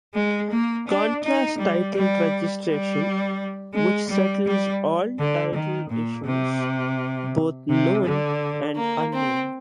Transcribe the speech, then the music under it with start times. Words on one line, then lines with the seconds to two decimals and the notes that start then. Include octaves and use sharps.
Contrast title registration which settles all title issues, both known and unknown.
0.14 G#3
0.50 A#3
0.87 D4
1.22 D#4
1.58 G3
1.94 G3
2.66 G3
3.73 G#3
4.09 G3
4.46 G3
5.17 D3
5.53 D#3
5.89 A#2
6.25 C3
7.69 C3
8.04 D3
8.76 A#3
9.13 C4